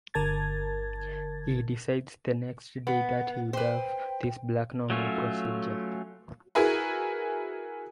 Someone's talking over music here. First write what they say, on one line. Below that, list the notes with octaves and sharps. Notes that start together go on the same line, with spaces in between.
He decides the next day that he would have this Black-No-More procedure.
G1 D3 A#4 A5 G#6 A6
B3
B4 C5 G5
F#3 A3 C#4 F4
E4 F#4 G#4 A#4 B4